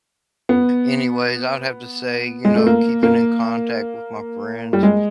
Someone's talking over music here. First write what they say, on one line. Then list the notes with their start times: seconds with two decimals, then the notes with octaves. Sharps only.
anyways, I would have to say, you know, keeping in contact with my friends,
0.49 B3
2.45 G#3
2.56 A3
2.66 A#3
3.03 A#3
4.73 G3
4.83 G#3